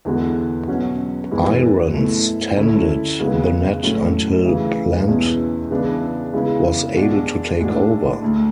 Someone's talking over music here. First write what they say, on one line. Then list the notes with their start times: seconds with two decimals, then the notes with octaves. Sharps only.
Irons tended the net until Plante was able to take over.
0.05 E2 D3 G#3 B3 F#4
0.68 B2 F#3 C#4 F#4
1.31 F#2 E3 G#3 B3 E4
1.94 B2 A3 E4
2.57 D2 D3 A3 C#4 E4
3.19 C#3 G#3 B3 F#4
3.82 A2 F#3 A3 C#4 E4
4.45 D2 C#3 E3
5.08 E2 B2 G#3 C#4
5.71 C#3 E3 G#3 B3 D4
6.33 C#3 G#3 B3 E4
6.96 B2 G#3 D4 F#4
7.59 A2 G#3 D4 F#4
8.22 D2 D3 A3